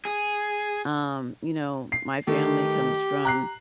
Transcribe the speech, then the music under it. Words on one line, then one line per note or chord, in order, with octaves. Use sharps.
um, you know, my family comes from,
G#4
C7
D#3 A3 G4
A#5 F#6 C7